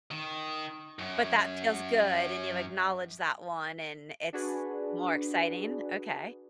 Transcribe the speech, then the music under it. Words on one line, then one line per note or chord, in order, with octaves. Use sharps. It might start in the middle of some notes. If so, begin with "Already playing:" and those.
But that feels good, and you acknowledge that one, and it's more exciting? Okay.
D#3
F#2
D4 F#4 G#4 B4